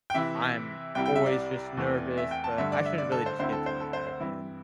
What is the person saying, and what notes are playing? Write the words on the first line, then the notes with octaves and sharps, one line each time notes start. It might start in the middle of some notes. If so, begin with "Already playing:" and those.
I'm always just nervous, but I shouldn't really just get to my head, and
G5
C3 E3 C4 E4 E5
C2 C3 G3 E4 G5
G5
E5
D5
E2 E3 A3 C4
E5
G5
A5
G2 D3 A3 E5
D5
E5
D5
A4
C5
D2 D3 C4 E4 C5
A4
C5
A4
C5
C5
G2 E3 C4 E4